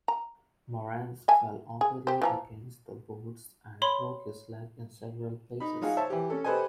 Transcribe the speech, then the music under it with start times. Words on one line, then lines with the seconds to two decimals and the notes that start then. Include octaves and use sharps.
Morenz fell awkwardly against the boards and broke his leg in several places.
0.08 A#5
1.28 E5 G#5 A5
1.81 G#4
2.07 G4 C5
2.22 E3 F3 A#5
3.82 C#5 B5 C6
5.60 D#4 B5
5.81 F#3 D#4 F4 F#4 G#4
5.97 C5 C#5 E5 A5
6.10 E3 G4
6.30 C#4 A4
6.44 G4 A4 B4 C5 D#5 G#5